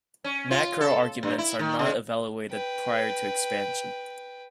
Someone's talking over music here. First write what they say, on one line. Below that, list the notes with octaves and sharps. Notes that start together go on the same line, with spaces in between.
Macro arguments are not evaluated prior to expansion.
C#4
F4
A4
G2
E4
D#3
C#3
B4 G5